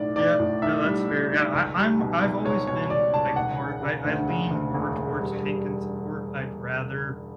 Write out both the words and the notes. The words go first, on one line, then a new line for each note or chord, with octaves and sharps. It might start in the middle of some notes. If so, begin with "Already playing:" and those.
Yeah no, that's fair, yeah, I I I'm I've always been, like, more I I lean more towards tank and support; I'd rather,
Already playing: B1 A2 D5
B1 D5
A2
B1 E5
G3
G3
B1
C#2
G3
B2
C#2
C#2 C#5
B2 C#5
C#2 D5
C#2 A5
E1 F#5
C#3
C#3
D2
C#3
D2
E1
E1
G3
G3